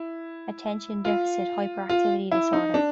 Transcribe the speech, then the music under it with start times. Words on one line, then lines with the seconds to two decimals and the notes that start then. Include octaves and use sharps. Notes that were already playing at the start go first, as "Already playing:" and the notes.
Attention deficit hyperactivity disorder.
Already playing: E4
1.05 F4
1.89 F4
2.31 E4
2.53 D#4
2.74 D4